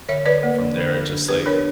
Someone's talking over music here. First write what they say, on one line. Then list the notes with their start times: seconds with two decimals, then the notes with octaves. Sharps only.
from there, it just, like
0.09 D3 C#5 E5
0.26 D3 B4 D5
0.43 A#3
0.61 D4
0.77 D3
0.95 D3
1.12 D4
1.28 B3 G4 B4
1.46 D4 A#4 C#5